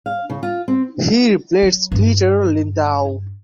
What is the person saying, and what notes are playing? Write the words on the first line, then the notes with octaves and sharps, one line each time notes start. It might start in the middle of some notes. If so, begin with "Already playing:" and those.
He replaced Peeter Lindau.
F5
C#3
F4
C4
F#3
G2 D4